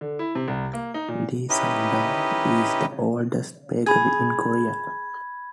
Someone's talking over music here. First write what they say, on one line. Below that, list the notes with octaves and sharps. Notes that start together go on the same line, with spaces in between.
Lee Sung Dang is the oldest bakery in Korea.
D3
E4
C3
C2
A#3
D#4
A#2
C#4 D#4 E4 G4 B4 D#5
G#4 B5 G#6